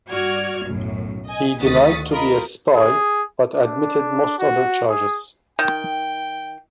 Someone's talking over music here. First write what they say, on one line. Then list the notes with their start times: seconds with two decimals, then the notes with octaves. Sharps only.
He denied to be a spy, but admitted most other charges.
0.10 G2 F#4 D5 F6 G#6
0.65 B1 F#2 A2
1.28 D#5 G#5
1.61 D2 D#3 F#4 D#6 A6 B6
2.10 F4 A#4 D#5 B5
2.75 G#4
3.55 D4
4.39 F#4
4.90 G#4
5.59 D#3 G5